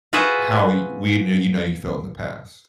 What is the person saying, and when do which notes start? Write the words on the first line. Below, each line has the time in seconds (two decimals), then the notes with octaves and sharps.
how y we knew you know, you felt in the past."
0.13 F4 F#4 G#4 B4 C5 E5